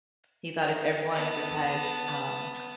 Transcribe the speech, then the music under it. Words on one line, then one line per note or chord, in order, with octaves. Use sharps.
He thought if everyone just had, um,
B3 A5